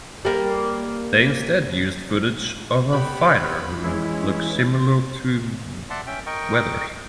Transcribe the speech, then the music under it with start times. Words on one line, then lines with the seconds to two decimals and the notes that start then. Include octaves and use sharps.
They instead used footage of a fighter who looks similar to Weathers.
0.25 G3 A#3
2.93 B3 G4 B5
3.84 E3 G#3 C#4 E4
5.90 D5 E5 F#5 A5 C6
6.07 C#4 E5 G5
6.26 A#4 D#5 G5 C#6